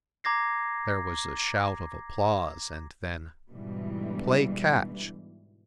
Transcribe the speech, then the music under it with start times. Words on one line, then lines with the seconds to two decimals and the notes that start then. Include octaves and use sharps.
There was a shout of applause and then--"Play catch!"
0.24 A#5 D6 G#6 A#6 C7
3.50 G#2 B2 D3 E3 G3